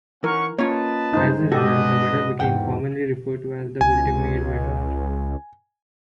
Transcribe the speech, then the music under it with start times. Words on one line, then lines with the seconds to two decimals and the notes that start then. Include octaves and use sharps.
As a result, the medal became commonly referred to as the "Woltemade Medal".
0.24 E3 C#4 A#4 F#5 C#6
0.59 A#3 C#4 F4 B4 C#5 D#5 A5
1.13 G2 C#3 G#3 D#4 C5
1.52 B2 G#3 D4 F#4 G4 A4 B4 D#5
2.40 E2 G#2 F#5 G5
3.81 C#2 G#5